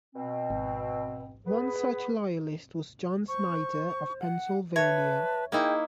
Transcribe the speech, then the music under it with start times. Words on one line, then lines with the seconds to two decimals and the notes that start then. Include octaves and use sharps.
One such Loyalist was John Snider of Pennsylvania.
0.15 B2 C4
0.50 G#1
1.46 B3 G#4 B4
3.28 C5 C#6
4.20 F#5
4.76 B4 C#5 E5 A5
5.52 A#3 D#4 E4 G#4 G5